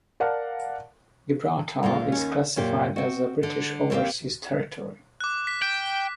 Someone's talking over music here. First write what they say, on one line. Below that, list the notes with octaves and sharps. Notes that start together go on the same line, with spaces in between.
Gibraltar is classified as a British overseas territory.
A#4 D5 F5 F#5 A5
D2 A#2 G#3 F4
D#2 C#4
F#2 A#2 G4
C4 F#4
D3
D#2 A#3 C4 G4 F5
D6 F#6
B6
G5